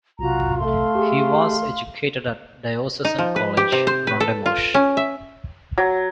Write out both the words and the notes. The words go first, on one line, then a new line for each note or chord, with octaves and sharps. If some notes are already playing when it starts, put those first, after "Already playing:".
He was educated at Diocesan College, Rondebosch.
B1 C3 F4 F#4 A#5
A3 F5 C6
G4 G#4
D#4
F3
B4
G4
C3
C5
B4
A4
F4
C#4
E5
F#3